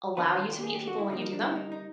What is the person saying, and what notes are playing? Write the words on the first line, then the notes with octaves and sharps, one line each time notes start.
allow you to meet people when you do them?
D#3 F#3 B3 D4 B4
F4
F4
G4
G#4
G4
F#4
E4
D3 G3 A#3 D#4
D#4
D4
E4
D#4
D#4